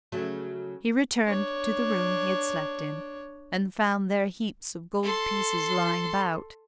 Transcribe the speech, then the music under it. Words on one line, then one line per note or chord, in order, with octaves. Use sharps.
He returned to the room he had slept in, and found there heaps of gold pieces lying about.
C#3 F#3 A3
D4 C#5
A4 C6